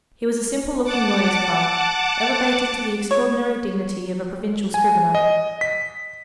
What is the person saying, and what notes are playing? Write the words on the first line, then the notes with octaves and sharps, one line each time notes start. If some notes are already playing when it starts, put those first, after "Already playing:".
He was a simple-looking lawyer's clerk, elevated to the extraordinary dignity of a provincial scrivener.
F#5 A5 D6
C#5
G#5
D#5
B6